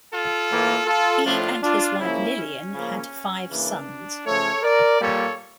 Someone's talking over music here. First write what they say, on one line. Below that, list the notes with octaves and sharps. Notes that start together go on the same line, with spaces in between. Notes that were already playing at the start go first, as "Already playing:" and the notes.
He and his wife Lillian had five sons.
F4 A4
A2 E3 A#3
F4 A4
A2 F3 A3 D4 F4
D4 F4
C#3 F3 A#3 C#4 E4
C#4
C#3 F3 A#3
C#3 E3 A#3 D4
C#3 F3 A3 A4 C#5
A#4 D5
A#2 G3 A#3 A4 C#5